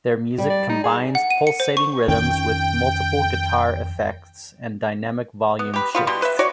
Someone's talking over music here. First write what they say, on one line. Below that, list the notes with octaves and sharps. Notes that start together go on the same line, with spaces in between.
Their music combines pulsating rhythms with multiple guitar effects and dynamic volume shifts.
G3
D5
D#4
G#4
F#5
D#7
C#7
C5
C#6
F2 D#3 C#4 G5
B3
G4 B4
G3 B3 F4
B2 G3 C6
B4 E5
F#4 C#5 D5